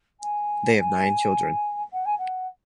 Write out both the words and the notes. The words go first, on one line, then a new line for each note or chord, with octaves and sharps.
They have nine children.
G#5
F#5
G#5
F#5
G#5
F#5